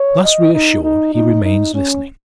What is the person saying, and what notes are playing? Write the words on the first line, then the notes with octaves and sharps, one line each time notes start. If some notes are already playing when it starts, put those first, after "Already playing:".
Thus reassured he remains listening.
Already playing: C#5
D#5
D#4
D#4
D#4
D#4
C#4